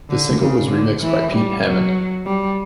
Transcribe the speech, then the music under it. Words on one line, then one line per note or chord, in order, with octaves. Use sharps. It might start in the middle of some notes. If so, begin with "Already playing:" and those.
The single was remixed by Pete Hammond.
D3
C#3
D3
E3
G3
F#3
G3